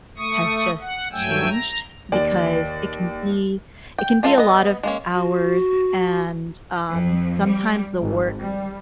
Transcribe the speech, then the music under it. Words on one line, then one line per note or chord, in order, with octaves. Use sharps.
has just changed because it can be it can be a lot of hours, and, um, sometimes the work,
A3 C#6 D#6
F#5
G2 F#3 A3 G5 G#5 E6
A#5
D#2 D5
G5
G#3 F4 A4 F5
B3 D#5
G#3 A#3 C#4
F#4
F2
G3
G#1
G3